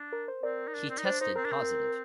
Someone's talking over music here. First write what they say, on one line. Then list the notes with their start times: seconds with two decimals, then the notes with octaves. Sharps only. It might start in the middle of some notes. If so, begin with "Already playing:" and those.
He tested positive.
Already playing: D4
0.13 A#4
0.28 C5
0.43 C4 A#4 D5
0.68 D#4
0.75 D4
0.90 C4
0.98 D#4
1.05 D4 C5
1.21 D#4 C5
1.36 C4 A#4
1.45 D4
1.52 C4